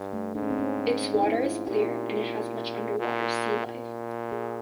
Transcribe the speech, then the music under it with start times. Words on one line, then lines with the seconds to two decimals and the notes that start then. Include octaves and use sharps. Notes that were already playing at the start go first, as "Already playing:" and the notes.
Its water is clear and it has much underwater sealife.
Already playing: G2
0.13 A3
0.35 G#2 D4
0.43 C#4
0.50 C4
0.58 C#4
1.14 D#4
1.23 E4
1.45 F4
1.67 A#2 G4
3.00 A#2
3.66 A#2
4.32 G#4